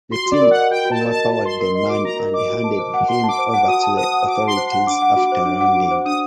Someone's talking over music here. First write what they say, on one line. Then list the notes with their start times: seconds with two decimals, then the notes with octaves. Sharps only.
The team overpowered the man and handed him over to the authorities after landing.
0.11 F#4 C6
0.26 F#4
0.31 D5
0.41 A#4
0.51 F#5
0.57 D#5
0.71 F#4 G5
0.85 F#4
0.91 A5
1.01 A#4
1.11 D#5 A5
1.30 F#4 A5
1.45 F#4 C6
1.60 A#4 C6
1.75 D#5 C6
1.89 F#4 D6
2.04 F#4 A#5
2.20 A#4
2.34 D#5 D6
2.49 F#4
2.64 A5
2.79 C5
2.94 F#5
3.08 F#4 C6
3.24 A5 D6
3.38 C5
3.49 D6
3.54 F#5
3.68 F#4 D#6
3.83 A5
3.97 C5 D#6
4.13 F#5
4.27 F#4 D6
4.42 A5 C6
4.57 C5
4.67 C6
4.72 F#5
4.87 D4 D6
5.02 F#5
5.16 F#4
5.32 C5
5.46 D4
5.61 F#5
5.76 F#4
5.91 C5
6.05 D4 D#6